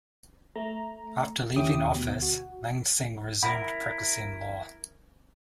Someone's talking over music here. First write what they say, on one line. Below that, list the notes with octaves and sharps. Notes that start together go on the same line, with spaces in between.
After leaving office Lansing resumed practicing law.
A3 A#5
D#2 C#4 E4 G4 D6 D#6
D2 B2
F#4
E4 A#4 F#5 B5